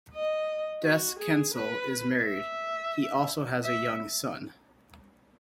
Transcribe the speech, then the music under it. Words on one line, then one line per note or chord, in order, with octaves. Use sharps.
Des Kensel is married, he also has a young son.
D#5
F#4
G#4
B4
E5
E5